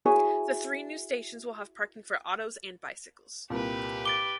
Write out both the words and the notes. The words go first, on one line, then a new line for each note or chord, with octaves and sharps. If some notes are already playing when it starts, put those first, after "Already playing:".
The three new stations will have parking for autos and bicycles.
E4 F#4 G#4 C#5
C2 A#2 G4 B4
D6 A6 D7 G7